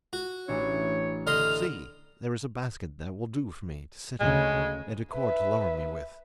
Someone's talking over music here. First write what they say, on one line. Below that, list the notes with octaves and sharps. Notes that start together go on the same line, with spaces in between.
See! there is a basket that will do for me to sit in, and a cord to lower me with.
F#4
A1 D4 E4 C#5
D3 D#5 C6 F6
D2 C#3 G#3
B4 E5